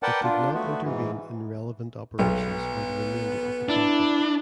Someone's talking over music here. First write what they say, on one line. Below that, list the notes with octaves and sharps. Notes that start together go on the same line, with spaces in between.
It did not intervene in relevant operations for the remainder of the conflict.
A#4 B4 D5 F#5 G5 A5
D4 F4
A3 B3 F#4
G#2 E3
B1 B3
D4 E4